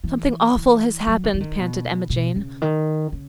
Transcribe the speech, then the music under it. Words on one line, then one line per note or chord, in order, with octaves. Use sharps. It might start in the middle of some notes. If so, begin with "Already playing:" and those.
"Something awful has happened," panted Emma Jane.
E3
E3
F#3
E3
E3
D#3
B2
B2
C#3
D#3
C#3